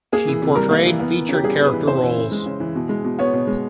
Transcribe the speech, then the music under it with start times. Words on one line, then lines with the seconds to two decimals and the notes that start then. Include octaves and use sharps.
She portrayed featured character roles.
0.12 A#3 G#4
0.28 E3
0.42 C3
0.56 G3 A#4
0.71 A#3
0.85 E3
1.00 B3
1.14 E3
1.29 C#3
1.34 G4
1.43 G3 G#4
1.59 B3
1.66 B4
1.73 E3
1.87 C#3 C5
2.03 E3
2.17 C#3
2.32 G#3
2.46 C#3
2.60 E3
2.75 B2
2.89 G#3
3.04 B2
3.19 B3 C#5
3.33 B2
3.47 G#3